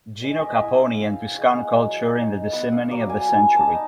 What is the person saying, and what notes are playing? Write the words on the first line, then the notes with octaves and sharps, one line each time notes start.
Gino Capponi and Tuscan culture in the decimony of the century.
G#3 E5
D#5
E5
E4
F5
C4 F5
G5
G#3
F#5
F#3
D#4
B3 F#5
F5
F#3 D5
G#5
G3 G#5
A5
D#4